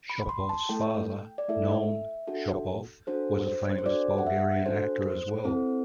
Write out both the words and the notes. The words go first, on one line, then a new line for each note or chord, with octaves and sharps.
Shopov's father, Naum Shopov, was a famous Bulgarian actor as well.
B5
C6
A5
A3 E4 A4 G5
D5
A3 E4 A4 E5
D4 F#4 A4
D4 F#4 A4 C5
C5
C5
D4 F#4 A4 D5
F#5
E5
D4 F#4 A4 C5
C4 E4 A4